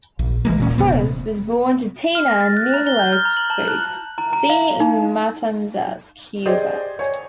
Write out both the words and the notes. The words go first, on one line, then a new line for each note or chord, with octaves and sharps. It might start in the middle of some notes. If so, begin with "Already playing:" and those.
Cruz was born to Tina and Nilo Cruz, Senior in Matanzas, Cuba.
A#1
E3 G#3 A#3
D#1 A#2 C#4
D#1 F2 C3 B3
F6
A#6
A6
F#6
A#5
G7
G6
F6
A#5
F#7
A5
F#6
A#5
A#5
F5
D#4
G4 G#4 C5 D5 D#5
C#5 G#5